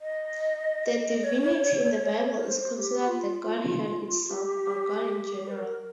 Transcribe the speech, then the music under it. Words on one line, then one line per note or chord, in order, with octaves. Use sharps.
The divinity in the Bible is considered the Godhead itself, or God in general.
D#5
C#5
A#4
C5
G4
F4
G4
C5
A#4